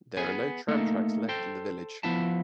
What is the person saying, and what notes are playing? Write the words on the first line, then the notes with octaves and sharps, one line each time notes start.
There are no tram tracks left in the village.
B3 G#4 G#5
A3 A#3 D#4 A4
A4 C5 G5
F3 B3 E4 E5 A5